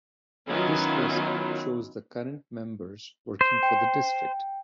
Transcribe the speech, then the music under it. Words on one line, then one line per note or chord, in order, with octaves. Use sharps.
This list shows the current members working for the district.
D#3 F#3 B3 C#4 E4 F4
C5
G5